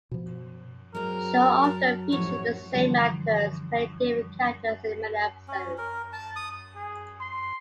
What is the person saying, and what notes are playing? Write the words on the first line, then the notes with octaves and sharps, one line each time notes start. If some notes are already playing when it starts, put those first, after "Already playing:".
The show often featured the same actors playing different characters in many episodes.
B2 F3
F#3 G#3 C4 A#4
A5
A1 F3 F#3 E4 C#5
D3 E3 F3 G3
C#4
A#4
A5
D#6
G#4
C6